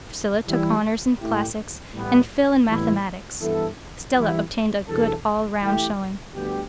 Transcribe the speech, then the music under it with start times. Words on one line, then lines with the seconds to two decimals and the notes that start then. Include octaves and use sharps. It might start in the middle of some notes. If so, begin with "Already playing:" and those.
Priscilla took Honors in Classics, and Phil in Mathematics. Stella obtained a good all-round showing.
0.47 E3 G3 E4
1.20 A2 A3 E4 G4
1.93 A2 E3 G3 B3
2.68 A2 E3 G3 B3 E4
3.40 G2 E3 B3 E4 A4
4.15 E2 E3 G3 E4
4.87 E2 B2 G3 D4 A4
5.61 E3 A3 E4 G4
6.34 D2 D3 G3 B3 G4